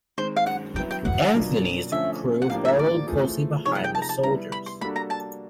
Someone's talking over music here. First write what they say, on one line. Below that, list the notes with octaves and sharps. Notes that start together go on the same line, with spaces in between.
"Anthony"s crew followed closely behind the soldiers.
D#3 G#3 C4 C5
F5
F#5
F#3 B3 E4 G5
G5
F#5
B2 F#3 A#3 D4 F4
D3 F3 A3 C#4 E5
F#5
A2 F3 A#3 D4 G4 F5
E5
D5
E3 A3 C4 F4 G#4
C3 F3 A#3 D#4 G#4 C#5
F#5
G5
A5
A#5
A5
G3 B3 E4 A#5
B5
C6
G3 A#3 D4 F#4 A4 B5
A#5
A5